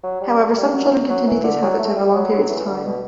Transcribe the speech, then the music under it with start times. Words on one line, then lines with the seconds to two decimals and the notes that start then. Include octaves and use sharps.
However, some children continue these habits over long periods of time.
0.03 F#3
0.21 G3
0.39 A3
0.57 G3
0.73 F#3
1.09 F#3
1.27 E3
1.43 D3
1.62 F#3
1.79 A3
1.96 G3
2.14 F#3
2.32 F#3
2.49 E3
2.67 D3
2.84 B2